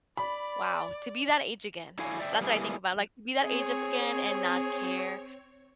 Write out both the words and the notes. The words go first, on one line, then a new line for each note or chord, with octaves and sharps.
Wow, to be that age again." That's what I think about, like, be that age a again, and not care,
D5 B5
D3 E4 F#4 C#5 F5 G#5
D5 E5 G5
G3 A#3 B3 E4 G#4
C4 G#4 C#5